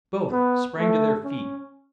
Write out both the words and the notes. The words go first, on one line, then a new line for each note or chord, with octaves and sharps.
Both sprang to their feet.
B3
A3
C#4